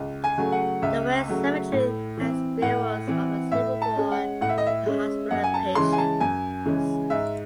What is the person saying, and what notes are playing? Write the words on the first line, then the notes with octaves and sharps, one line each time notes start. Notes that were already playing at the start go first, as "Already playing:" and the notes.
The West cemetery has burials from the Civil War and hospital patients.
Already playing: C#2
G#5
C#3 F#3 A3
F#5
C#2 E5
C#3 F#3 A3
A2
E3 C4
A2 F#5
E3 C4
A2 E5
A5
G#3 C#4
F#5
A2 F#5
E5
D#5
E5
G#3 C#4
F#2 F#5
G#5
A5
C#3 E3 G#3 C#4 C6
G#5
A5
F#2 G#5
C#3 E3 G#3 C#4
G#2 E5